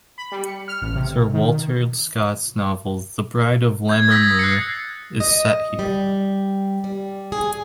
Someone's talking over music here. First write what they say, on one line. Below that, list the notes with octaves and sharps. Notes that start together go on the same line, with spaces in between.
Sir Walter Scott's novel The Bride of Lammermoor is set here.
B5
G3
C#7
F6
A1
C3
D#3
G6 G#6
D#6 E6 G6 G#6 A#6 B6
A6
F#6 C7 C#7
D#5
G3
G3
G#4